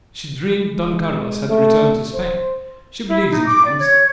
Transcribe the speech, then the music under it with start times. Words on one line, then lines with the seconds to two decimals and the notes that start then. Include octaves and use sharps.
She dreamed Don Carlos had returned to Spain; she believes in dreams.
0.48 G#3
1.49 A3
2.14 C5
3.06 E4
3.30 D#4
3.44 D6
3.63 D5
3.78 C#5